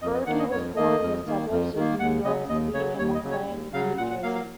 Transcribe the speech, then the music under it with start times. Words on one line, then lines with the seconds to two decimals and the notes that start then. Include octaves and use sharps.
Burgi was born in the suburbs of New York City in Montclair, New Jersey.
0.02 F2 D#5
0.14 D#5
0.27 D#3 F#5
0.30 A#3
0.39 D#5
0.51 F2 C#5
0.76 D#3 A#3 D#5
1.01 F2
1.26 D#3 A#3
1.50 F2
1.75 D#3 A#3
2.00 D#2 F#5
2.24 C#3 F#3 D#5
2.49 D#2 D#5
2.74 C#3 C#5
2.78 F#3
2.99 D#2 C#5
3.15 D#5
3.23 C#3 F#3
3.31 C#5
3.48 D#2
3.73 C#3 F#3 F5
3.98 A#2 F#5
4.10 F#5
4.22 F#3 A#3 F5
4.35 F5